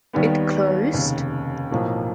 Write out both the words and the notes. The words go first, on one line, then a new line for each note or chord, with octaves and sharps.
It’ closed?
D#2 D#3 G3 B3
F1 D#2 C#3
B1 A2 F3 A#3